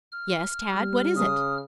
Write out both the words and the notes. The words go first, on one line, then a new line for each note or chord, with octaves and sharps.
"Yes, Tad; what is it?"
F6
G3
C#3 D#6